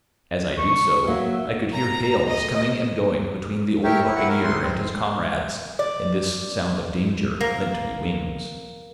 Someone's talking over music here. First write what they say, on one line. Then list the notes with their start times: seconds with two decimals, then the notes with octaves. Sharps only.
As I did so, I could hear hails coming and going between the old buccaneer and his comrades, and this sound of danger lent me wings.
0.58 C#6
1.07 F#3 A#3 E5
1.73 A#5
2.29 D#5
3.84 G4 A#4 C#5 E5 G5
4.02 E4
4.15 E4 F#5
4.28 C#4 A#4
4.43 C6
4.61 C4
5.79 D5
7.41 A#3